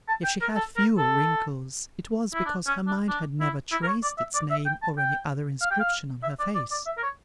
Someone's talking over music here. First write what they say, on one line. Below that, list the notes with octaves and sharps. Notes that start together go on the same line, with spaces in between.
If she had few wrinkles, it was because her mind had never traced its name or any other inscription on her face.
A5
G5
A#4
A4
A#4
A4
E4
D4
C#4
D4
D4
E4
E4
A#4
C#5
D5
E5
D5
E5
G5
A5
G5
F5
G5
F5
E5
D5
D5
D5
E5
A#4
C#5